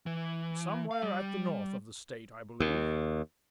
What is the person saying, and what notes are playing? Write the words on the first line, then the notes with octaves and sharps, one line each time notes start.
"Somewhere at the north of the State, I believe."
E3
F5
G3
D#2